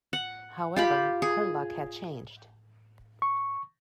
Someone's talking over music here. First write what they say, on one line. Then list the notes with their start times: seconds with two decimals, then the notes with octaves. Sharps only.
However, her luck had changed.
0.13 F#5
0.76 F4 G4 B5
1.22 G#4
3.22 C#6